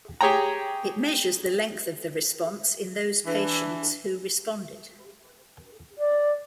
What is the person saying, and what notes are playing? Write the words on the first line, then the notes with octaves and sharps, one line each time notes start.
It measures the length of the response in those patients who responded.
G4 G#4 C#5 G5 A#5
E3 D4
D5